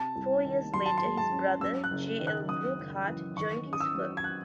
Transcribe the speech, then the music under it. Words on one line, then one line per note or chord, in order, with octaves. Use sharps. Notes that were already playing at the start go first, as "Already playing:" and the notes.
Four years later his brother, J. L. Brookhart, joined his firm.
Already playing: C3 A5
C2
D#3
F#3 C6
A5
C6
G#2
A5
C#4
F#2 E6
F#6
F#1
D#3
F#6
F#2 D#6
F#1
E3
D#3 C#6
C#4
D#6
E6
F#3
G#6
F#6